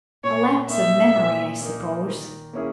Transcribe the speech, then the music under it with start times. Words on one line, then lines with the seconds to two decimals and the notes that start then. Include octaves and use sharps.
A lapse of memory, I suppose.
0.24 A#2 C#5
0.69 A#3 D#4 E5
1.15 A#2
1.61 A#3 D#4
2.07 D#3
2.53 A#3 C#4 E4 G#4